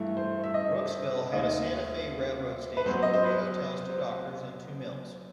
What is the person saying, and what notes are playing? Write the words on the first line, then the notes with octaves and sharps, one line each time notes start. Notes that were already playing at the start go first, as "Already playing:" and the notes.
Brooksville had a Santa Fe Railroad station, three hotels, two doctors, and two mills.
Already playing: G2 E3 A3
C5
E5
D#5
D#2 D#3 A3 D#5
B4
F#2 F#3 B3 C5
D#5
C5
B4